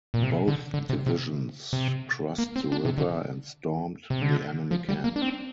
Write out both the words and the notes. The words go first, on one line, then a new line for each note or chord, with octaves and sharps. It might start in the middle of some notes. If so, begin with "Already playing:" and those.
Both divisions crossed the river and stormed the enemy camp.
A#2
C3
D3
D3
C3
C3
C3
A#3
C4
D4
C3
D3
C3
D3
F3
G3
A#3
D4
C4